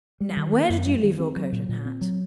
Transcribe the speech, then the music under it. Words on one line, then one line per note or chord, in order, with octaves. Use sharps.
Now where did you leave your coat and hat?
G3
D#3
A#3
F#2
G3
D#3
C4
F#3
A#2
A#2
C4
F#3